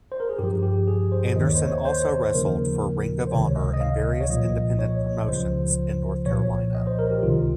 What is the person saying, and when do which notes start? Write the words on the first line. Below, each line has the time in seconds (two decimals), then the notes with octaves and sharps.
Anderson also wrestled for Ring of Honor and various independent promotions in North Carolina.
0.12 C5
0.20 A#4
0.29 G#4
0.38 G2 F3 G4
0.63 G4
0.88 G#4
1.12 C5
1.36 D#2 D#3 D#5
1.46 C#5
1.55 C5
1.66 C#5
1.85 C5
2.34 D#2 C#3 F3 A#4
3.27 C5
3.31 C#2 C3 D#3 C#5
3.56 D#5
3.74 D#5
3.80 F5
4.21 C#5
4.30 C2 A#2 F3 D#5
4.79 C#5
5.28 C#2 C#3 F3 C5
6.25 C2 A#2 F3 C#5
6.75 D#5
6.87 C5
6.99 A#4
7.11 G4
7.23 C#2 C3 D#3 F4